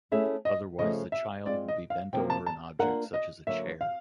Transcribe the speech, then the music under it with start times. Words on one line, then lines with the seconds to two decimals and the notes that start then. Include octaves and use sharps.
Otherwise the child would be bent over an object such as a chair.
0.11 A3 C#4 E4 G#4 E5
0.45 D#5
0.78 C#3 F3 A3 D#5
1.12 E5
1.45 G#3 C4 F4 D5
1.68 D#5
1.90 F5
2.13 C3 F3 A#3 G5
2.30 A5
2.46 A5
2.79 A#3 D4 F4 A#4 F#5
3.14 D#5
3.47 D3 F#3 A#3 E5
3.81 F5